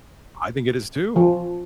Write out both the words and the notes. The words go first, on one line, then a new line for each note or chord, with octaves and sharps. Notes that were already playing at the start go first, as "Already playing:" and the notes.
I think it is too.
F3